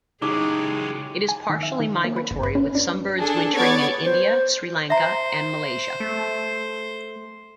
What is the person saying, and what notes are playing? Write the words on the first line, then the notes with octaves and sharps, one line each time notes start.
It is partially migratory, with some birds wintering in India, Sri Lanka and Malaysia.
C#3 F#3 G#3 D#4 E4 G4 G#4 D6
G#5
D#3
E5
D#3
A#3
B4
G1
B4
C#4
D4
D4 G#4 A4
B3 C#5 D5 G#6 A6
C5
C5 E5 A#5
A3